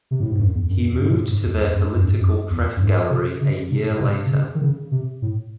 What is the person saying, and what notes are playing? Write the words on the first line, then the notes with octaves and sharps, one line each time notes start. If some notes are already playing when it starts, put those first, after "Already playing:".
He moved to their political press gallery a year later.
C3
A2
G#2
F#2
E2
F#2
E2
G#2
C3
A2
G#2
E2
E2
F#2
F#2
G#2
F#2
E2
F#2
G#2
C3
C#3
C3
A2
C3
C3
C#3
D#3
C#3
C3
A2